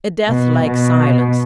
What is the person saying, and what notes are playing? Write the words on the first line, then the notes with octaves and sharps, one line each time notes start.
A deathlike silence.
B2
B2